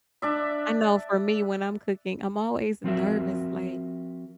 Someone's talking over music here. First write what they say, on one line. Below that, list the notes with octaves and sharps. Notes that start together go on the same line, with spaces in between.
I know for me when I'm cooking I'm always nervous like,
D4 D5 E5
F3 C4 F4 F#4 A#4 E5